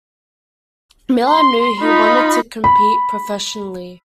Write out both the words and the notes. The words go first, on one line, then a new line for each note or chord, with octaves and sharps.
Miller knew he wanted to compete professionally.
C6
D#4 F4 B5
B5